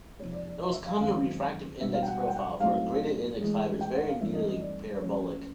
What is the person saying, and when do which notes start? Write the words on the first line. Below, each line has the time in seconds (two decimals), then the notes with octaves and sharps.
The most common refractive index profile for a graded-index fiber is very nearly parabolic.
0.19 F2 C3 F3 A#3 D#4 C#5
0.32 D5
0.47 D5
0.59 D#5
0.73 E5
0.86 F5
0.93 E5
1.00 F#2 D#3 G#3 C4 F5
1.79 B2 G3 B3 D4 E5
1.94 F5
2.02 G5
2.07 F#5
2.20 F#5
2.28 G5
2.36 F#5
2.60 A2 F#3 A3 C4 D#4 F5
3.41 A2 E3 G#3
3.81 G5
3.95 F#5
4.08 F5
4.21 G2 E3 A3 C4 D#4 E5
4.34 D#5
4.47 D#5
4.60 D5
5.02 A2 F3 A#3 C#4 C#5